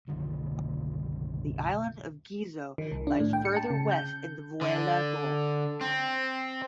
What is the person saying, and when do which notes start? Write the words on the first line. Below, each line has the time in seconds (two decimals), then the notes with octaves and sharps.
The island of Gizo lies further west in the Vella Gulf.
0.07 F#1 B1 D3 D#3
2.78 D#3
2.92 C2
3.07 D4
3.20 A2
3.33 G5
3.45 C#7
3.56 A5
3.70 C#3
3.91 G6
4.61 D3
5.81 C4